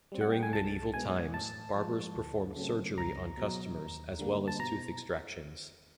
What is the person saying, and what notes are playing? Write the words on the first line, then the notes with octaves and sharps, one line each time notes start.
During medieval times, barbers performed surgery on customers, as well as tooth extractions.
G3 C4
F#5
G5
G#5
C2 A5
B2 G#3 B3 G#5
A2 A5
F3 G#3
D2
C#3 F#3 A3 C4
C#2 A#5
B2 F#3
D#2
D3 G3 A#3
A5
B2 A#5